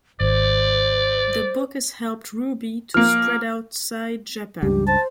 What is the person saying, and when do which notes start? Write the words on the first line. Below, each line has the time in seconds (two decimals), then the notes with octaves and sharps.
The book has helped Ruby to spread outside Japan.
0.20 G#1 C5 D5
2.94 F3 A#3 F6
4.63 C#2 G2 G3 G4
4.88 C5 A5